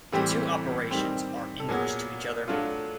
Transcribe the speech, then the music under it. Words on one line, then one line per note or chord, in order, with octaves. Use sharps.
The two operations are inverse to each other.
A2 E3 G3 C4 G4
D#3 G3 C4
A4
A#2 F#3 B3 G#4
F#3 A3 D4 F4